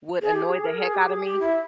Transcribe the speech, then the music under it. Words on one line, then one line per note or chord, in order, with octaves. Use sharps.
would annoy the heck out of me.
G#4
G4
G#4
A#4
G#4
G4
G#4
G4
E4